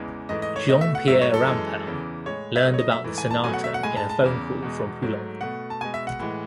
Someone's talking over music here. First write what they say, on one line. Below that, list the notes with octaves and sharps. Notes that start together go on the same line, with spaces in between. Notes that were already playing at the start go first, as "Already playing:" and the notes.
Jean-Pierre Rampal learned about the sonata in a phone call from Poulenc.
Already playing: E2 C#3 E3 G#3
G#2 E3 A3 D#5
D#5
C#5
B2 A3 D#5
E5
F#5
G#2 F#3 A3 E5
C#5
A4
F#2 E3 G#3
E2 C#3 E3
A2 G#3 C#5
E5
B2 F#3 A3 D#5
C#5
D#5
E5
G#2 E3 A3
G#5
A5
B2 F#3 A3 G#5
F#5
E5
F#5
A2 G#3 G#5
A5
A5
E2 C#3 E3
E2 B2 G#3
G#2 F#3 A3
B2 A3 F#5
A5
B2 G#3 G#5
E5
F#5
A2 E3 G#3